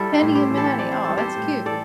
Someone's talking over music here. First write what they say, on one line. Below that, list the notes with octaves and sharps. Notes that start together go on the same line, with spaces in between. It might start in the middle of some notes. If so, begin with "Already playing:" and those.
Penny and Maddie, aw, that's cute.
Already playing: G3 E4 A4
G4 C5
A2
G4 C5
E3
E4 A4
C4 D5
C5
G3 A4
G4 C5
A2
E3 A4 D5